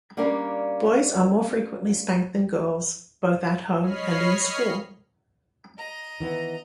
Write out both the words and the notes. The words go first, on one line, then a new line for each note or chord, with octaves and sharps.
Boys are more frequently spanked than girls, both at home and in school.
G3 A#3 C#4 D4 A#4 F5
C#5 D#5 B5 F6 C7
D#5 A#5
D#3 E3 B3